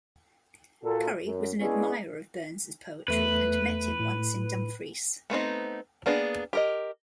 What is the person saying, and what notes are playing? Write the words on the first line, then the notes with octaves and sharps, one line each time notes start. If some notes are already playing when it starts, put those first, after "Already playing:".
Currie was an admirer of Burns's poetry and met him once in Dumfries.
A#2 F#4 A4
F#2
G#3 B3 C#4 D4 E4 G#4
E2 A3 B4
A2
A3 B3 C4 D#4
A#3 B3 D4 G#4
G4 A#4 D#5